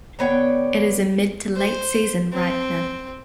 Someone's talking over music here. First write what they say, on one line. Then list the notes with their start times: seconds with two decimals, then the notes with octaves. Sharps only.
It is a mid to late-season ripener.
0.19 D3 B3 C#5 G5
1.56 C5
2.33 C4